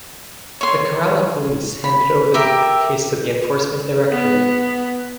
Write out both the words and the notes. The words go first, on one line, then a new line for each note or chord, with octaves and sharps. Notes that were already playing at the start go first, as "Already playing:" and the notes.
The Kerala Police handed over the case to Enforcement Directorate.
C#5 C6
B5
G4 A#4 E5
B3